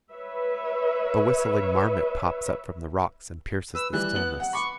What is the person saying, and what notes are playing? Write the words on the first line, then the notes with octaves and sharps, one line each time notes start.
A whistling marmot pops up from the rocks and pierces the stillness.
B4 C#5 E5
B4 E6
E3 G3 F#6
B3 F#7
F#5
B5 C#6 D6